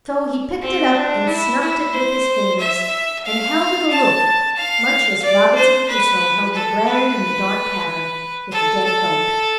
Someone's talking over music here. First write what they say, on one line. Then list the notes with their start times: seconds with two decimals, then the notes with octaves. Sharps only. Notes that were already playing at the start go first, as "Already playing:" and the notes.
So he picked it up and snuffed it with his fingers, and held it aloof, much as Robinson Crusoe held the brand in the dark cavern with the dead goat.
0.61 C4
0.94 D4
1.27 E4
1.60 E4
1.93 C5
2.58 E5
3.25 F5
3.90 A5
4.56 F5
5.22 D5
5.55 C5
5.88 B4
6.54 A4
6.86 B4
8.51 A4
8.84 A4